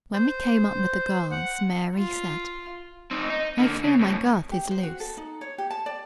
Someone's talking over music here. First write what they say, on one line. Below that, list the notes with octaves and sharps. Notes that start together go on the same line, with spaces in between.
When we came up with the girls, Mary said: "I fear my girth is loose."
C5
F#5
F4
C4 D#4
D#4
D3 A#3
C#3
F2 A2
G4
C5
F#4
A4
D#4
C#5
G4
A5
D5